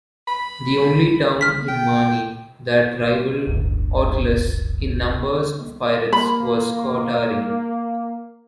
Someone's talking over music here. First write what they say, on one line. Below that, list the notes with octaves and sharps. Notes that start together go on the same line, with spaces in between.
The only town in Mani that rivaled Oitylos in numbers of pirates was Skoutari.
B5
F6 B6
G5
D1 G1
A#3 B5